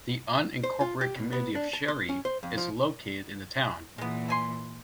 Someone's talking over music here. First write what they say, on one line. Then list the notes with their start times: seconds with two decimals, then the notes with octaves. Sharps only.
The unincorporated community of Sherry is located in the town.
0.64 C5
0.81 F4
1.01 G4
1.15 B2
1.33 B3
1.55 D4
1.73 A5
1.88 C6
2.09 C#4
2.25 C5
2.43 F2
2.58 F3
3.98 A#2 E3 G#3 B3
4.28 A3 G#5 C6